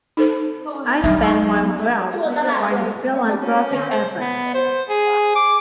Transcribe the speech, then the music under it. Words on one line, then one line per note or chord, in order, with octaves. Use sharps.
I spend my wealth on philanthropic efforts.
D#4 A4 C5
F#3 D#4 E5
C#4
C5
B3
C5
G#4
D6